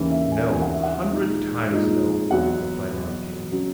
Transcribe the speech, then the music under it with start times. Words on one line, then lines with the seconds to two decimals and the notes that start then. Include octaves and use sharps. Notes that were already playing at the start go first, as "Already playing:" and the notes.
"No! a hundred times, no!" replied Barbicane.
Already playing: D#2 C#3 E3 A#3
0.11 E5
0.32 G#5
0.51 D#2 C#3 E3 A#3 G#5
0.62 F#5
0.73 E5
0.83 F#5
1.11 A#2 G#3 D#4
1.70 A#2 G#3 D#4
2.31 E2 B2 F#3 F#5
2.91 E2 B2 F#3
3.52 C#3 F#3 B3